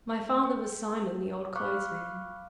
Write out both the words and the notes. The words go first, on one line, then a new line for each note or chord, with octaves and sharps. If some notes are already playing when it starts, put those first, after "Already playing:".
My father was Simon the old clothes-man.
G5
F5 B5 C#6 D6 F6 F#6